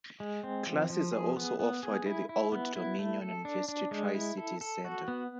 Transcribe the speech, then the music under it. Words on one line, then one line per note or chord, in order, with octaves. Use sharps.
Classes are also offered at the Old Dominion University Tri-Cities Center.
G#3
C4
F3
F3
G#4
B3
B3
G#4
E4
E4
B3
E4
A3
A4
D4
D4
G#3
E4
A4
A4
F#4
B3